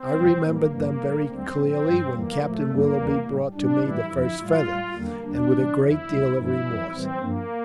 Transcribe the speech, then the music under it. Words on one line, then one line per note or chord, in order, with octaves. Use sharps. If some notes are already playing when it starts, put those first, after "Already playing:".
I remembered them very clearly when Captain Willoughby brought to me the first feather, and with a great deal of remorse.
Already playing: C4
F2 C3 E3 G3
A2 E3 G3 A#3
G2 E3 G3 A#3
A2 G3
D2 D3 G3 C4
A2 F3 C4
G2 D3 G3
F2 E3 G3 A#3
A2 F3 A3
G2 D3 G3 A#3
E2 E3 G3
A2 G3
A2 G3 D4
A2 E3 G3 E4
F2 D3 F3 E4
A2 G3 F4
A2 G3
E2 D3 G3 A#3
E2 D3 G3 D4
A2 E3 G3
E2 D3 F3 E4
D2 C3 G3
G2 D3 F3 E4
F2 E3 G3
A2 E3 G3 C4
G2 F3 A#3